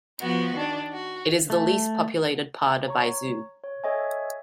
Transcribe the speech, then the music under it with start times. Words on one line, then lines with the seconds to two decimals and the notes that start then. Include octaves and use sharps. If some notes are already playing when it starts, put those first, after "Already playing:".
It is the least populated part of Aizu.
0.20 F3 B3 F#4
0.56 D#3 D4
0.93 F#4
1.50 A3
2.86 C#5 A#5 C#6
3.64 C#5
3.84 A4 C#5 D#5 E5 G#5